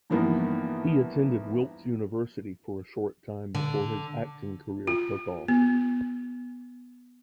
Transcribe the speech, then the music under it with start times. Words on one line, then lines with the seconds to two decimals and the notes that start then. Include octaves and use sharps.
He attended Wilkes University for a short time before his acting career took off.
0.10 G2 E3 F3 A#3 B3 D#4
3.55 D3
4.87 F4
5.48 B3